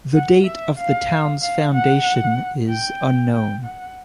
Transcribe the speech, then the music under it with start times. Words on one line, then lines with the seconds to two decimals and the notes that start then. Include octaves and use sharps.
The date of the town's foundation is unknown.
0.14 F#5
0.46 E5
0.78 F5
1.42 F5
1.74 F#5
2.69 G5
3.33 G5
3.65 F#5